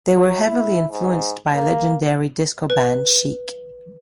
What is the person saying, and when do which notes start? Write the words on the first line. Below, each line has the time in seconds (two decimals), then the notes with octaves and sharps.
They were heavily influenced by legendary disco band Chic.
0.17 F#3
0.47 E4
0.91 G#2
1.55 A#3
2.70 B4